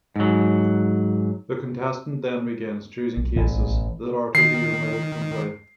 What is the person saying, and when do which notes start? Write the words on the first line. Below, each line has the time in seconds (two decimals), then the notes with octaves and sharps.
The contestant then begins choosing cases that are to be removed from play.
0.16 G#2 F#3
3.17 B1
3.36 A1
4.35 D#3 C7